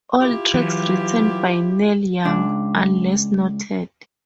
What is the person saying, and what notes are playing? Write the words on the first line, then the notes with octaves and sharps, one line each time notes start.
All tracks written by Neil Young, unless noted.
E4 F4 G4
E3 F#3
C#2 D4